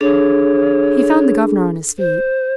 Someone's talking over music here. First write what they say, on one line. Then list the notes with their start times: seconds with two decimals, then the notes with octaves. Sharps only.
He found the governor on his feet.
0.01 D4 G#4 A4 C#5
1.99 C5